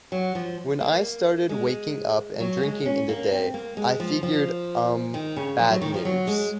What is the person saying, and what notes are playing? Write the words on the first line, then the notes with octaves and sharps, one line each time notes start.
When I started waking up and drinking in the day, I figured-umm, bad news.
F#3
F3
A#3
G#3
F#3
A#3
G#3
C#4
A#3
C4
A#3
G#3
F3
F3
D#3
C#3
F3
F#3
D#3
F3
F#3
G#3